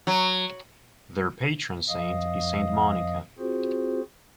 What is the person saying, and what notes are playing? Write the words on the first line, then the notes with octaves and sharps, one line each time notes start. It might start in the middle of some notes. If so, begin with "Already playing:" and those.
Their patron saint is Saint Monica.
F#3
F2 F3 D#5 F5 D#6
C4 F4 F#4 G#4 C5